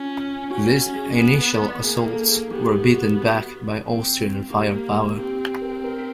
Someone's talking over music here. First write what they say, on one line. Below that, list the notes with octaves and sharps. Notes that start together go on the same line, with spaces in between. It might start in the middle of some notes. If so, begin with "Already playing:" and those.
These initial assaults were beaten back by Austrian firepower.
Already playing: C#4 F4
C#4 F#4
G#4
B3
A#3 G#4
A4
G#4
B3 G4
F#4
C4
A#3 G4
C4 G4
A#4
A#4